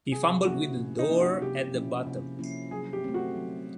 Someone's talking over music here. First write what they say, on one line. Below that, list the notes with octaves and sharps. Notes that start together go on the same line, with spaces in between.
He fumbled with the door at the bottom.
C3 G#4
F3 A#3 C#4 E4 F#4
C3
D#4
F3 A#3 C#4 E4
F#4
C3 G4
F3 A#3 C#4 E4
C3
F3 A#3 C#4 E4
F#3 G#4
G4
A3 C4
F#4
F#3